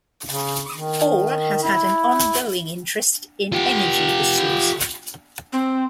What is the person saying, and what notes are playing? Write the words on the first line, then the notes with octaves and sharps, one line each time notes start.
Hall has had an ongoing interest in energy issues.
C#3
D#3
E4
F4 G4
C4